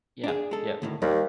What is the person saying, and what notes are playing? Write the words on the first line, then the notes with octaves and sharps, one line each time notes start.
Yeah, yep, yep,
D4 G#4
G#3 A4
D2 A2 D#3
D#2 G3